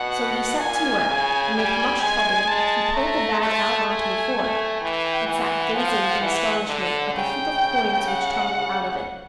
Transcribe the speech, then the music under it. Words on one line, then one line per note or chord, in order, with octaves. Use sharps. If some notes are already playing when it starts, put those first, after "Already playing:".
So he set to work, and with much trouble he pulled the bag out on to the floor, and sat gazing in astonishment at the heap of coins which tumbled out of it.
Already playing: B2 F#5
A#2 G#5
C#3
G3
G#3 G#5
G#3 A5
A3 A#5
A3 A5
A3 G#5
A3
E3 G5
E3 F#5
F3
E3
D3
C#3 G5
F#5
C#3